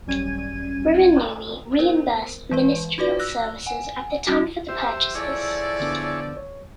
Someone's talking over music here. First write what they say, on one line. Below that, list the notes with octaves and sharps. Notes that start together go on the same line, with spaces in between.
Ririnui reimbursed Ministerial Services at the time for the purchases.
G#1 F#2 G3 C#4 G#6 D#7
B3 A#4 C5
E3 G#3 B4
D#4 F4 F#4 B4 D5
E6 F#6 A#6
F#5 G#5
G3 C#4 D#4 F#4
G4 C5 E5
F3 E4 G#4 A4 C#5 D5
D3 B3 D4
C#5